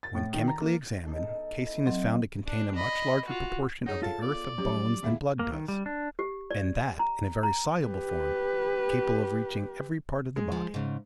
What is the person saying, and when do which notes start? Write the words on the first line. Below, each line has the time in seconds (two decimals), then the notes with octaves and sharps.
When chemically examined, caseine is found to contain a much larger proportion of the earth of bones than blood does, and that in a very soluble form, capable of reaching every part of the body.
0.03 A6
0.15 A2
0.34 D#3
0.48 A#5
0.61 A#3
1.06 B2 D#4 A4
1.61 D#4 E4
1.86 D#3 F#3 C4
2.47 D4
2.75 D#5 B5
3.25 F4 F#4
3.86 D#4 G#4 C#5 F#5
4.03 F4 A4 F5 A5
4.21 B3 D5
4.58 F3 F#3 C#4 G4
5.03 D#2 G#2 B3 E4 E5 F5
5.39 A#3
5.52 D#3
5.68 G3
5.86 D4
6.19 G4
6.51 D5
6.99 A#5
7.43 A#5
7.86 G4 B4
10.36 G#3
10.52 F3
10.74 G#2 C#3